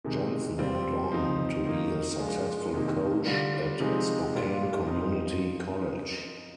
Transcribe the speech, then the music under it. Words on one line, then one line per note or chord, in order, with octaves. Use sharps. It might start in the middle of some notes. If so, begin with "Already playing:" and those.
Jensen went on to be a successful coach at Spokane Community College.
C3 D#3 G#3 D#4
C3 G3 C4 F4
F3 C4 D#4
D#3 A#3 D#4
F3 G#3 D4 F4
C3 D#3 A#3 D#4
D3 G3 D4 F4
C3 F3 G#3 D#4
A#2 G3 D4 F4
F3 C4 D#4